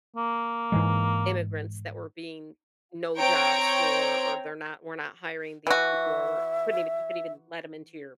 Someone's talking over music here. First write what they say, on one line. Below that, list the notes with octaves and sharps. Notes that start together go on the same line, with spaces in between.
immigrants that were being no jobs for or, "They're not we're not hiring these people." Or, couldn't even you could even let them into your
A#3
G#2 E3 G#3
C4 C#5 G5 A#5 D7
E3 F#4 E5